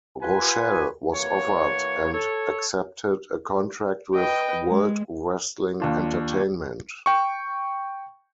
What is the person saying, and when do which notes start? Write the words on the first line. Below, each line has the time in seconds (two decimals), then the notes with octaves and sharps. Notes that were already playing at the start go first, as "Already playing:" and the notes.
Rochelle was offered and accepted a contract with World Wrestling Entertainment.
0.20 F4 B4 F#5 G#5
1.14 E3 A#3 F#4 C#5
2.12 A4 C#5
4.14 B4 D#5 G5
4.68 G#3
5.80 D#2 D4 F4
7.06 G5 C#6